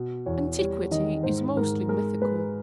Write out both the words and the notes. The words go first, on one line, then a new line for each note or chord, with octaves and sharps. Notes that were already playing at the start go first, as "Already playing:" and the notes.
Antiquity is mostly mythical.
Already playing: B2
E2 C#5
G3 C#5
D#3 D#5
G#2 C5
G#2 A#4
G#3 A#4
G#3 B4